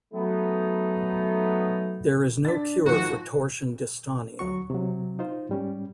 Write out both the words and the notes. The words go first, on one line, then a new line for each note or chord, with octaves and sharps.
There is no cure for torsion dystonia.
F#3 A3 B3 D#4
D4 A6 B6
G#2 D#3 F3 F#4
D2 F#3 F#4 C#6
C3 F#3
D#4 F4 C5
G#2 G3 C#4